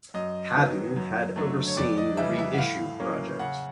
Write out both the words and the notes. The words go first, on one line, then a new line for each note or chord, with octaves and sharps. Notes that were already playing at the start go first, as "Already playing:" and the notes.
Hadden had overseen the reissue project.
F#2 D#5
D#3 F#3 B3
F#2
D3 F#3 A3
C#5
F2 D5
D#5
C#3 E3 G3 E5
E5
F#5
A2 F5
F#3 A#3 C#4
C#3 F#5